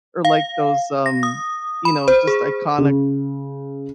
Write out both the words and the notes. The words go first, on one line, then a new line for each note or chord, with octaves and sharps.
or, like, those, um, you know, just iconic
F5
A#6
D#6
B5
C5
G#4
C#3